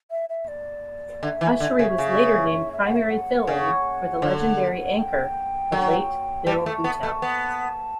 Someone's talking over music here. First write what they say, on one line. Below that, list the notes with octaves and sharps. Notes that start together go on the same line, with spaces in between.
Ushery was later named primary fill-in for the legendary anchor, the late Bill Beutel.
E5
E5
D5
D3 E5
E3
D3
C#3
C#3
E5
F#5
E5
F#5
C#3
D3
G5
F#3
G3 A5
A3
B3
A3
B3